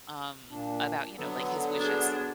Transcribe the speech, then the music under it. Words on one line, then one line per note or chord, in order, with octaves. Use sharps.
um, about, you know, like, his wishes
A#2 D4
D3 F#3 B3 A4
D4 G#4